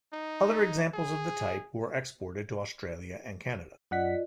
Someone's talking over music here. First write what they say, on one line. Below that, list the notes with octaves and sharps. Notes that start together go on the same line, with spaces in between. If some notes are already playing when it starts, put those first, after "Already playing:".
Other examples of the type were exported to Australia and Canada.
D#4
G#4
F#2 F4 D5 D#5 F#5 B6